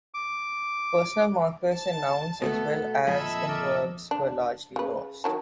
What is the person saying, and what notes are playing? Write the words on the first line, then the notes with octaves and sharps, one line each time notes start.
Personal markers in nouns as well as in verbs were largely lost.
D6
A5 A6
B2 A3 B3 A4
F2 A#2 A4 D#5 E5 G#5 B5 E6
A#4 D5 D#5
D4
C#3 B4
D#3 F#3 A5